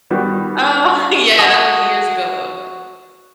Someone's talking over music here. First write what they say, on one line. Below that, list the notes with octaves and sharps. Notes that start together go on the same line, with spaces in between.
Oh, yeah, that was years ago, though.
D#3 G3 B3 F#4
F#4 A5 D#6